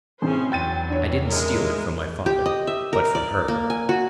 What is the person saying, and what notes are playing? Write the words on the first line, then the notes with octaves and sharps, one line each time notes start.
I didn't steal it from my father, but from her.
A1 C3 C#4 E4 G#4 C5
E2 F#3 G5 A6 D#7
D4 C#5
G#3 E4 A#4
G4
D#5
E5
A#4
D5
A#3
G#5
F#4